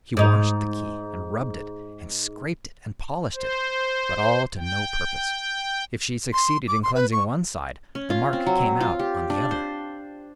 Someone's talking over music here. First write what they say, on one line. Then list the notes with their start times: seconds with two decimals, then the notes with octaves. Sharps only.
She washed the key and rubbed it, and scraped it and polished it, but all to no purpose, if she succeeded in cleansing one side, the mark came out on the other.
0.17 G#2 D#4
3.34 C5
4.57 G5
6.33 C6
6.68 D6
6.83 C6
6.95 B4
7.12 C#6
7.95 C#4
8.10 F4
8.33 C4
8.46 F#3
8.81 F4
8.99 G4
9.30 D4
9.51 C5